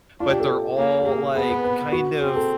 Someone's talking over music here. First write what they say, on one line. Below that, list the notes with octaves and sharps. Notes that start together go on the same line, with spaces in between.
but they're all, like, kind of
D4 F4
G4
A4
A#3
G4
A#3 G#4
B3 G#4
B4
B4
F#4
C4 G#4
A4